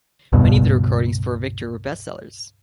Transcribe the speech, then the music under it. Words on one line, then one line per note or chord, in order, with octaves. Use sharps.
Many of their records for Victor were bestsellers.
C#2 G2 B2